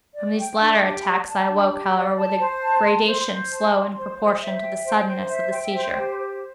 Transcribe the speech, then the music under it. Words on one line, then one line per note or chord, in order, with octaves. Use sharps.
From these latter attacks I awoke, however, with a gradation slow in proportion to the suddenness of the seizure.
D5
G5
D4
G4
D5
A5
D4
G4
D5
A5
C5
A5
C6
C5
C5
A5
C6
C5
C5
E5
G5
C5
C5
E5
G5
C5
G4
C5